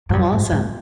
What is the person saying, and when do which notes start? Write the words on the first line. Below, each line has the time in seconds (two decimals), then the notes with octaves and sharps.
Oh, awesome.
0.09 G#2
0.13 F#2
0.33 G#2
0.51 G#2